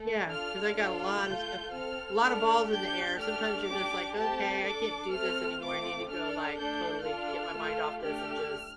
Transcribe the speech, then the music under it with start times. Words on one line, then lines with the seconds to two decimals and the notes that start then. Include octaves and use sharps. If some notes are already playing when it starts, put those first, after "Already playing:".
Yeah, 'cause I got a lot of stuff uh, a lot of balls in the air, sometimes you're just like, "Okay, I can't do this anymore, I need to go, like, totally get my mind off this and just"
Already playing: A3 A4
0.28 D4 F4 A4 F6
0.76 D4 F4 A4 F6
1.24 A3 F4 A4 G6
1.72 C4 A4 F6
2.21 A3 D4 A4 F6
2.70 D4 G4 G6
3.18 A3 D4 G4 F6
3.67 D4 G4 D6
4.15 A3 C4 G4 A5
4.64 D4 A4 D6
5.12 A3 C4 A4 F6
5.60 A3 C4 F4 D6
6.09 D4 A4 F6
6.58 A3 D4 A4 G6
7.06 D4 F4 A4 F6
7.54 A3 F4 A4
8.03 A3 D4 G4 F6